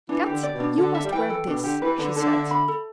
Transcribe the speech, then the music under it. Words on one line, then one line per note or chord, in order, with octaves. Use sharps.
"Kat, you must wear this," she said.
E3 D4
D3 G4
D5
B2
D4
D3 A4
E5
G3
E3 G5
A4
B2 D4
D3 G4
E3 B4
D3 D4
D3 A4
E5
B5
A4